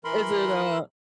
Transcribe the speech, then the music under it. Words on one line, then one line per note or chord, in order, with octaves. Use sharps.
Is it a
E3 A#4 B5 C6